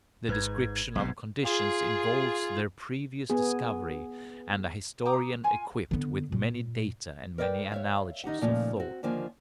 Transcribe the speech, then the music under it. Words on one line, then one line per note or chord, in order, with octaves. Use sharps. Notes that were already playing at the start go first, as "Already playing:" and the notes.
The description of conditions involves their previous discovery and a historian equipped with many data and many analogies of thought.
G#1 G#2 B4 G#6
B1 G#2 C3
F4 G#4
B3 G#4
G5 A#5 D6 D#6
F4 G#5
D3 B3
A#2
A#4 B4 D5 D#5 G5
C#5 E5 F5
D#3 D#4 G4 F#5
A#2 C#3 F3 A3 D#4 F4
C4 F#4
D#2 D3 F3 A#3 G#5